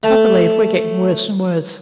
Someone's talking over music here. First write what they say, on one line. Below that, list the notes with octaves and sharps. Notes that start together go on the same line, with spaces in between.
I believe we're getting worse and worse.
A3 A5